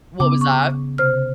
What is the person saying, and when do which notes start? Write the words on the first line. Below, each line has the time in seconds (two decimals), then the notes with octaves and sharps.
What was that?
0.20 C#3 B3 D6
0.41 C#6
0.98 C3 C5 F6